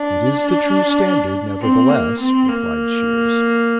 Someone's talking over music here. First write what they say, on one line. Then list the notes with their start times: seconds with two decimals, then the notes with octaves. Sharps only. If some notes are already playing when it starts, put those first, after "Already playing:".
"It is the true standard, nevertheless," replied Shears.
Already playing: D4
1.61 C4
1.89 A#3
2.19 C4
2.47 A#3